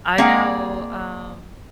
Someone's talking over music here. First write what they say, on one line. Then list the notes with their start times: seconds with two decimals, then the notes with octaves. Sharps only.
I know, um,
0.18 A#3 C4 D4 G#4 D#5 F#5